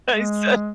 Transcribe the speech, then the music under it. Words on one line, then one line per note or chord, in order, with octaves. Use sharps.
I said,
G#3